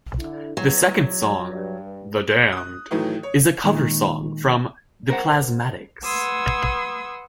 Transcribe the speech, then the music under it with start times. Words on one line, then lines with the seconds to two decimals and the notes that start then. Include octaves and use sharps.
The second song "The Damned" is a cover song from The Plasmatics.
0.19 D3 E4
0.57 E2 F#3
1.49 G2
2.52 D#6 F#6
2.91 A2 D#3 E3 F#3 A3
3.23 C#5
3.64 A#2 D#3 G#3
5.10 A#4 C5 F#5
6.04 B4 F#5 C6 D#6 E6 G#6